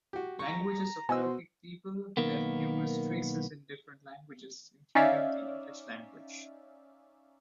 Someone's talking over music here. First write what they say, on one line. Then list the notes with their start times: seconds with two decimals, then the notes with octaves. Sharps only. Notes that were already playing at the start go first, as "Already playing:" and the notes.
Languages of Turkic peoples left numerous traces in different languages, including the English language.
0.13 F#4 G4
0.39 A#5 C#6
1.09 B2 F#4 C5 D#5 G#5 E6
2.17 B1 D#3 A#3 B3
4.95 C#4 D#4 D5 E5 F5